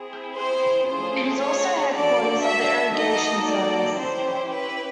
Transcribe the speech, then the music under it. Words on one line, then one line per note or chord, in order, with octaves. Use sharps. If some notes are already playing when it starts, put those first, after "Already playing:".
It is also headquarters of the Irrigation Service.
Already playing: C4 E4 G#4
C5
A3 C#4 F4 G#4 C5
C#5
D4 F#4 A4 D5
E5
A#3 D#4 F#4 A4 D#5
D5
C#4 E4 G4 C5
B4